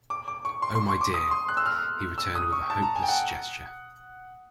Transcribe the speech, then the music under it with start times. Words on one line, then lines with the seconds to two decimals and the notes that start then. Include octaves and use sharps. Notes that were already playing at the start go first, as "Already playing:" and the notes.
"Oh, my dear," he returned with a hopeless gesture.
0.10 D6
0.28 D6
0.45 C#6
0.62 C6
0.75 C6
0.89 C#6
1.01 D6
1.14 D#6
1.31 C6
1.49 F#6
1.57 E6
1.66 F6
2.18 E6
2.35 D#6
2.52 C#6
2.70 A5
2.82 A#5
2.96 G#5
3.03 G5
3.08 F#5